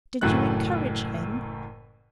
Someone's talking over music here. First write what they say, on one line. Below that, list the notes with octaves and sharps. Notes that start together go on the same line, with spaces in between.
"Did you encourage him?"
F#1 F#2 A2 E3 A3 F#6